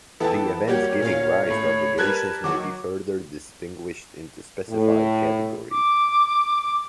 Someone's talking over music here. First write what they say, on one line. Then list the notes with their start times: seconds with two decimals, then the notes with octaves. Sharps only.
The events giving rise to obligations may be further distinguished into specified categories.
0.20 E3 B3 E4 A4 G5 A5
0.67 G3 A#3 F#4 G4 C#5
1.00 A#2 C#4 F5
1.46 A2 A3
1.98 G3 A#4 B4 A5 F#6 G#6
2.44 D#3 F#3 F#4 D6
4.69 A2
5.71 D6